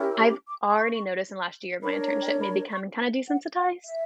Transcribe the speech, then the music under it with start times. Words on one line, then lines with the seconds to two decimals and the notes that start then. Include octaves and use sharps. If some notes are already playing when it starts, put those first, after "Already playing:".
I've already noticed in the last year of my internship me becoming kinda desensitize,
Already playing: C#4 E4 G4 A#4
0.10 E6
0.29 D6
0.47 D6
0.67 C#6
1.82 D4 A#4 C#5 B5
2.02 A#5
2.21 G5
2.40 B5
2.69 C#6
3.27 F#5
3.56 F#5
3.84 E5